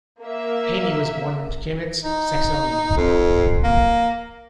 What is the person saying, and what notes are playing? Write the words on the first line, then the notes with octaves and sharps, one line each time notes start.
Heyne was born in Chemnitz, Saxony.
A#3 E5
D#4
F2
A#3